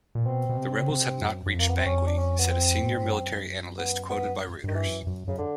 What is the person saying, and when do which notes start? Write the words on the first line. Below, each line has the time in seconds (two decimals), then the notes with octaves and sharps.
The rebels have not reached Bangui, said a senior military analyst quoted by Reuters.
0.15 A#2
0.26 B2 C4
0.49 B2
0.57 C3
0.80 C#3
0.89 C3
1.21 F#2
1.46 F#2
1.54 F2
1.60 A#3
1.69 B3
1.77 C4
1.86 F2 C#4
2.07 D4
2.17 C#4
2.39 B3
2.50 C4
2.81 A2
2.92 G#2
3.03 G2
3.14 F#2
3.78 B3
4.10 B3
4.64 G2 D#3
4.75 E3
4.86 F#2
5.07 F#2
5.28 F#2 C#3
5.38 D3